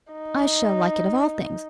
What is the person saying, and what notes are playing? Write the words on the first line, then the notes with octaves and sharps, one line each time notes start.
I shall like it of all things.
D#4